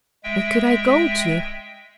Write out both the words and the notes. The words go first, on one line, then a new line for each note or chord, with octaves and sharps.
'Where could I go to?
G#3 E5 G5